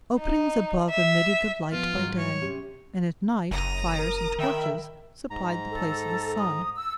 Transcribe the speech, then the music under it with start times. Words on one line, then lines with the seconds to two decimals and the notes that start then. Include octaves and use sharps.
Openings above admitted the light by day, and at night fires and torches supplied the place of the sun.
0.19 D#4
0.90 E5
1.72 F3 B3 F4
1.96 G#2 D#3 F#3
2.18 C#5
2.41 C3 C#4 G4
3.51 F#1 A#5 D#6
3.99 A#4
4.39 D#3 E5 G5 B5
5.30 G#2 A#5
5.71 A4
6.37 D#6
6.75 E6